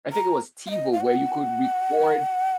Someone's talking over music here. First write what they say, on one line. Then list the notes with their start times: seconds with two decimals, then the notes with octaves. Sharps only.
I think it was TiVo where you could record
0.12 A#5
0.67 F5
0.71 D#5
0.93 F5
1.01 F#5